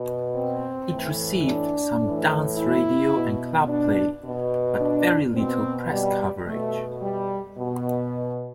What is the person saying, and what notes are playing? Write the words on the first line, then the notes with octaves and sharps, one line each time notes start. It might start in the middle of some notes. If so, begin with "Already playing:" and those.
It received some dance radio and club play, but very little press coverage.
Already playing: B2
C4
A2 E3
D4
A2 E3
E4
B2
D4
B2
D4
B2 C4
G3
B2 A3
G3
B2